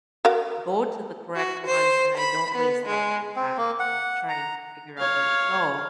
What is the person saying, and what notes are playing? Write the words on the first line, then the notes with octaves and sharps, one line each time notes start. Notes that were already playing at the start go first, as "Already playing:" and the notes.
go to the correct ones, and I don't waste all my time trying to figure out where to go,
F#4 A#4 F5
F#4
C5
B5
B3
G#3
C4
A#3
F#5
A#5
C#5 F5